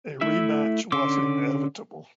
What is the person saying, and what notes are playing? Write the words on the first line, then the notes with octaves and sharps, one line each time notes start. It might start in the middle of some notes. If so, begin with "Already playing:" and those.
A rematch was inevitable.
A3 E4 E5
D3 C#4 C6 D6 E6